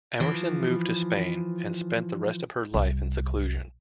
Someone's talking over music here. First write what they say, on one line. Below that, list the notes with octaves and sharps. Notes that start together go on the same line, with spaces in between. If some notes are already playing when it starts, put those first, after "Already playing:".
Emerson moved to Spain and spent the rest of her life in seclusion.
E3 F3
C2